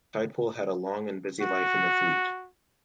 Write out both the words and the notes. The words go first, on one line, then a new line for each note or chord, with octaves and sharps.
"Tidepool" had a long and busy life in the fleet.
F#4